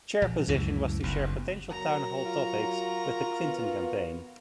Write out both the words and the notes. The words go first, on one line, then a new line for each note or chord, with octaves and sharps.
Chair position was to share potential town hall topics with the Clinton campaign.
A#1
C#2 F#2 A2 E3
F#1 B1 F#2
F#3 F#4 A#4 A#5
F4
B3